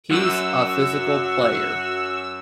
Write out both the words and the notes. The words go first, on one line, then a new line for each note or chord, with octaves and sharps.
He's a physical player.
F#2 F#4 E6